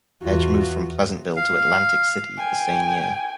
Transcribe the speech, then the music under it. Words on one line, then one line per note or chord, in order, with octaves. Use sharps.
Edge moved from Pleasantville to Atlantic City the same year.
E2 F4 F#4
F5
G5 G#5